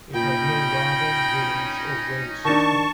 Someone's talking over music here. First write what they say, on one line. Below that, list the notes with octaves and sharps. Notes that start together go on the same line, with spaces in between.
It has no lava, rilles, or ray system.
A#2 C#4 D#4 G5 B5
D#3 D4 A5 C#6